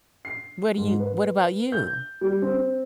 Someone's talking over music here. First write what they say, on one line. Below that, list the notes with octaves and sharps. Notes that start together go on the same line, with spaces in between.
What do you what about you?
C7
G#2
B4
G6
G3
C4